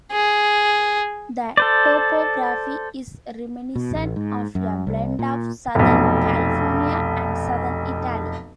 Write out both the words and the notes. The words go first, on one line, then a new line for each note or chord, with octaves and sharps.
The topography is reminiscent of a blend of Southern California and Southern Italy.
G#4
A4 C5 D5
B2
A1
G#2
F#2
C2
A#2
F1 B1